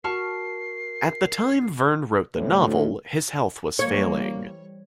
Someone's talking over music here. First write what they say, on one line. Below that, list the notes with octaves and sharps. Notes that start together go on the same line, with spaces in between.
At the time Verne wrote the novel, his health was failing.
F#4 A#4 A5 C#6 F6 C7
D2 A2
E3 G3 A#3 C#5